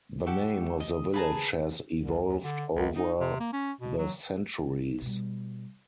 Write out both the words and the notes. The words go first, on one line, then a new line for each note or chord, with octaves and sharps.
The name of the village has evolved over the centuries.
F#4 G4 A4
D#5
G#4 B4 A5 A#5
C2
D#2
D3
C#2
D#4
C3
A#3
C#4
B2
F#3
B2 G3